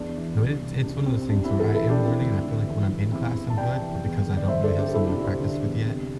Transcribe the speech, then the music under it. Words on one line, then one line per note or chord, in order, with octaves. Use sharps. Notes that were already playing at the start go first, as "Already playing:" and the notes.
No, it's it's one of those things where I am learning, and I feel like when I'm in class, I'm good, but because I don't really have someone to practice with yet,
Already playing: E2 D4
E3
C2
C2
C2 D4
C2 C4
C3 D4
C4 E4
E3
E4 A4
E3 E4 A4
D4 G4
E3
C4 E4
D2
D3
E3
G2
E2 C4 E4
E3
A5
C3 D5 G5
E3
E2
D3
D5
D3 C5 E5
A4 D5
G2
D4 G4
C3 E4 A4
D4 G4
C2
G4 C5
D3 D4
E2
C3